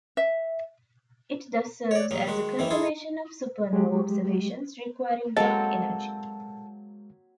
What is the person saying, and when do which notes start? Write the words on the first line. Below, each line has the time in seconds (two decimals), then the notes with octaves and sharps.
It thus serves as a confirmation of supernova observations requiring dark energy.
0.17 E5
1.91 C#5 D5
2.11 A#1 D#2 F#3 A#3
2.27 D#3 G#3 F#4
2.59 F#2 D#3 E3 A#3 E4
2.70 E4 F4 G#4 A4
3.73 G#3 G4
5.37 F#3 G#3 A#3 C4 A4 D#5 A6